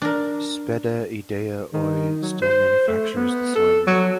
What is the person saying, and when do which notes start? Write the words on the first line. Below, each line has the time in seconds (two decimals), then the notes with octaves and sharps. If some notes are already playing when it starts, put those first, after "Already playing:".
Spede-Idea Oy still manufactures the sling.
0.02 D4 A#4
1.73 D#3
2.22 F#3
2.42 C5
2.87 A3
3.16 B3
3.55 A4
3.87 F#3